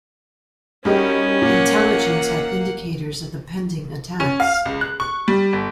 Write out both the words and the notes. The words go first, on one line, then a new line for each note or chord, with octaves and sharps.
Intelligence had indicators of the pending attacks.
G3 C#4 D#4 F#4 G4 A#4
A#2 A#3 F#5
C#4
F5
C#2
F#6
C#6
G3
G1